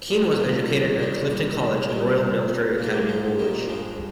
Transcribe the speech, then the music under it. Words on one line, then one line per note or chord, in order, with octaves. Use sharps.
Keane was educated at Clifton College and Royal Military Academy Woolwich.
A#2 D#3 G3
F3 G#3
D#3 G3
D#3 G3
D#3 G3
D#3
D#3 G3
G#2 A#3
G#3
G3 A#3
F3 G#3
A#2
D#3 G3
G2 F3 G#3